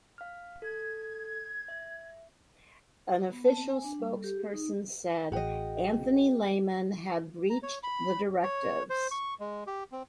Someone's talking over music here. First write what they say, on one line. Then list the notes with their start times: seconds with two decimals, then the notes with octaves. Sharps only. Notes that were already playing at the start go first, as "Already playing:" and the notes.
An official spokesperson said Anthony Lehmann had breached the directives.
0.18 F5 F6
0.62 A4 G#6
1.68 E5
3.33 B3
3.44 A5
3.57 C4
3.71 G#5
3.84 D4
4.00 G3
4.11 A4
4.24 G4
4.37 G#4
4.53 D#4
5.32 A1 F#4 G#4 D#5 G5
7.50 A#5
7.63 C#5
7.83 B5
8.43 C#5
8.90 C5
9.11 C#6
9.40 G#3
9.67 G4
9.92 C4